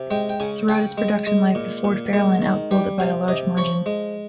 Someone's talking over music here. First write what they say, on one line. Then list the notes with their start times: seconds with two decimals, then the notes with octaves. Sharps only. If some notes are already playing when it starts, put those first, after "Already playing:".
Throughout its production life the Ford Fairlane outsold it by a large margin.
Already playing: C3
0.11 G#3 G5
0.29 G5
0.40 C#3 G#5
0.68 C#3 G5
0.98 G#3
1.27 G#3
1.55 A#2
1.84 A#2
2.13 G#3
2.42 D#3
2.71 G3 G5
3.00 C3 F5
3.28 C3 D#5
3.57 F3 C#5
3.86 G#3